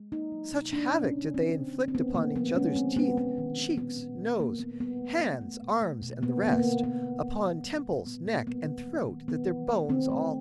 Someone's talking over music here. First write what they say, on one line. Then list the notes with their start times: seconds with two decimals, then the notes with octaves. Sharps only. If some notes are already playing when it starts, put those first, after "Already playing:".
Such havoc did they inflict upon each other's teeth, cheeks, nose, hands, arms, and the rest, upon temples, neck, and throat that their bones all ache.
Already playing: G#3
0.12 A#3 D#4
0.32 F#3
0.52 B2
0.72 A#3 D4
0.93 B2
1.04 C#4
1.13 B2
1.34 D3 C4
1.55 D3
1.74 D3
1.88 C4
1.94 A3 B3
2.15 D3 A#3
2.36 F3 B3
2.56 G#3 C#4
2.76 D#3 C4
2.97 G#3 B3
3.17 G#3 B3
3.38 D#3
3.57 D#3
3.78 A#2 B3
3.98 A#2
4.18 A#2
4.39 A#2 A#3
4.59 A#3 B3
4.80 G3 B3
5.01 A3
5.20 A3
5.41 A3
5.62 B2
5.82 A3
6.02 B2
6.22 A#3 B3
6.42 D3 B3
6.53 A#3
6.63 D3
6.83 A#3 B3
7.03 D3
7.24 D3
7.45 A#3
7.65 G3
7.86 A#2
8.06 A#2 B3
8.26 A#2 A#3
8.47 G3 B3
8.66 D#3
8.88 F#3
9.08 D#3
9.28 D#3 B3
9.48 D#3
9.68 A3
9.89 D#3 C4
10.10 A3